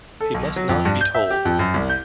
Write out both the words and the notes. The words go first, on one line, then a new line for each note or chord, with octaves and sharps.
He must not be told.
A4
B1
F#3
F2
G2
G6
E5
G4
F2
F#2
C2
G6